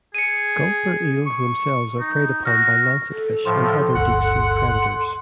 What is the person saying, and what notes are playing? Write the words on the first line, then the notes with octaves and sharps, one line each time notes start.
Gulper eels themselves are preyed upon by lancet fish and other deep sea predators.
G#4 C#7 D#7
C#6
D#4
F#4 F6 A#6
A4
A2 F3 C6
G1 D2 F#5